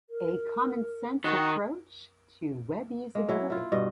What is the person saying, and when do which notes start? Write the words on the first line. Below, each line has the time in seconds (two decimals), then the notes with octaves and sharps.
A Common Sense Approach to Web Usability.
0.10 A#4
1.24 D#3 F#4
3.15 G#3 A#3
3.29 F#3 E4
3.50 E4 F4
3.72 G2 B2 D#5